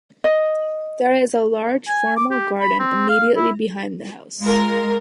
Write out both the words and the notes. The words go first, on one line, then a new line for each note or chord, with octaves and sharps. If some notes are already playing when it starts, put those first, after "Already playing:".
There is a large formal garden immediately behind the house.
D#5
G#5
D6
G4
B5
C4
F5
E4
G#3 F4 A#4